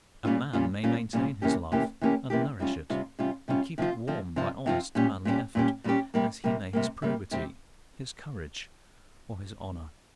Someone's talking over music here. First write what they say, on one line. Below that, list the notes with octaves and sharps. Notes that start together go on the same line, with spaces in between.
A man may maintain his love, and nourish it, and keep it warm by honest, manly effort, as he may his probity, his courage, or his honor.
A#2 G3 C#4 F4
A#2 G3 C#4 F4
A#2 G3 C#4 F4
A#2 G3 C#4 F4
C3 E3 A#3 C#4 G4
C3 E3 A#3 C#4 G4
C3 E3 A#3 C#4 G4
C3 E3 A#3 C#4 G4
C3 G3 C#4 F4
C3 G3 C#4 F4
C3 G3 C#4 F4
C3 G3 C#4 F4
C3 F3 C4 F4
C3 F3 C4 F4
C3 F3 C4 F4
C3 F3 C4 F4
A#2 G3 C#4 G4
A#2 G3 C#4 G4
A#2 G3 C#4 G4
A#2 G3 C#4 G4
C3 G3 A#3
C3 G3 A#3
C3 G3 A#3
C3 G3 A#3
C3 G3 C4 G4